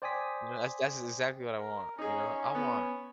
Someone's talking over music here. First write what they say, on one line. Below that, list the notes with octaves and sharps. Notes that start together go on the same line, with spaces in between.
You know, that's that's exactly what I want, you know, "I want
C5 D5 G5 G#5 D#6 B6
A#4
C#4 D#4 G#4
B3